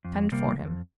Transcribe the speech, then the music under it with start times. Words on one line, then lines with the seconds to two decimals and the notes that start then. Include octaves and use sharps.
Send for him.
0.05 F2
0.32 C3 G3 A#3
0.59 F2